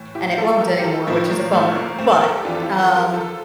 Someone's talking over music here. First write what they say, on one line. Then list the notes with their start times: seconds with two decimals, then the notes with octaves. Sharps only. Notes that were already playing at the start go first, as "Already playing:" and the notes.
and it won't anymore, which is a bummer, but, um
Already playing: A2 E3
0.15 E4 G4
0.38 F4 A4
0.61 G4 A#4
0.79 G4
0.84 F4 A4
1.07 A2 F3 C4 E4
1.31 A#3
1.53 A3
1.75 A#3
1.98 A3 C4
2.21 A#4
2.29 A4
2.37 G4
2.45 F2 E3 D4 F4
2.55 A4
2.62 E4 G4
2.79 F4 A4
2.96 G4 A#4
3.13 F4 A4